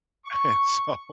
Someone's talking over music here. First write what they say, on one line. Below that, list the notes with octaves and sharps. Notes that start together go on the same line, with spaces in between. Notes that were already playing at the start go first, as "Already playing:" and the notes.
And so,
C#6